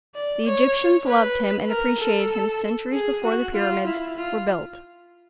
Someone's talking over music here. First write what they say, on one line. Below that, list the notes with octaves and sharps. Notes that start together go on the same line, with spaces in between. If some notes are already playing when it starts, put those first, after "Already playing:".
The Egyptians loved him and appreciated him centuries before the pyramids were built.
D5
C#5
B4
A#4
A4
G#4
F#4
F4
E4
F4